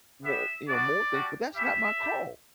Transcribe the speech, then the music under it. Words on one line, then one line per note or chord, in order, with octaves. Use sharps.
mor you know, more things, but that's not my call
B3 E4 G4 E5
B3 D4 F#4 D5
G3 D4 F#4
C#4 E4 G4 E5
A3 E4 G4